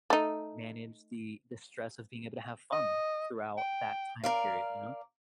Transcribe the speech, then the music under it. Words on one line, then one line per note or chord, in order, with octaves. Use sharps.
manage the the stress of being able to have fun throughout that time period, you know?
A3 D#4
D#5
G5
A#4 D5 F5